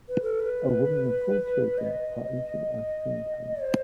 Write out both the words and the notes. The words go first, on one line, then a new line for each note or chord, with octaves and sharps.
A woman with four children are eating ice cream cones.
B4
A4
B4
D#5
C5